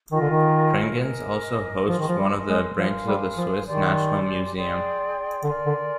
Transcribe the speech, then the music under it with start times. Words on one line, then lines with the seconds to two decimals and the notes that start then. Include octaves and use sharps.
Prangins also hosts one of the branches of the Swiss National Museum.
0.11 D#3 F4 A#4 D#5 G#5
0.21 D3
0.30 D#3
1.00 A#4 D#5 G#5
1.89 F3 A#4 D#5 G#5 C6
1.99 D#3
2.09 F3
2.18 G3
2.49 G#3
2.78 F3 A#4 F5 G#5 C6
3.07 G3
3.37 F3
3.66 D#3 G4 D5 G#5 C6
4.55 G#4 D5 G5 C6
5.44 D3 A#4 D5 G#5 C6
5.66 D3